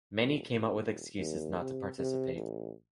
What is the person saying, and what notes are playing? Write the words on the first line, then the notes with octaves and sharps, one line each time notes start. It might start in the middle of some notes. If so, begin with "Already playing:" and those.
Many came up with excuses not to participate.
D#1
D#1
D#2
C3
C3
A1